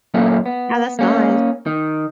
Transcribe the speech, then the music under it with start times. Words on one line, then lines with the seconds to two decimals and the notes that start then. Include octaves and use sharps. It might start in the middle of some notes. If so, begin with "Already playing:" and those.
No, that's nice.
0.14 F#2 A#2 A3 A#3 C#4
0.46 B3
0.99 A#3 C#4
1.66 D#3